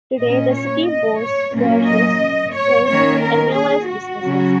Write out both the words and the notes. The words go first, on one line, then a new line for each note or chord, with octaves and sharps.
Today the city boasts churches, schools, and numerous businesses.
A#2 A#3 C#4 D#5
C#5
D#5
C#5
A#2 F#3 A#3 C#4
D#5
C#5
D#3 A#3 C#4 C#5
A#4
G#4
F#4
C#3 F#3 C#4